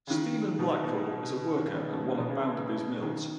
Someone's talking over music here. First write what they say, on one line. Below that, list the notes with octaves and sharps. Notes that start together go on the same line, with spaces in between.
Stephen Blackpool is a worker at one of Bounderby's mills.
C#3
D#3
B2
B2
D#3
C#3
B2
C#3
B2
B2
C#3
D#3